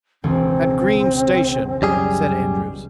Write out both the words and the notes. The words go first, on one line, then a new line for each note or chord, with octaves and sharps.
"At Green's Station," said Andrews.
E1 C#2 C4
F#2 G3 G#4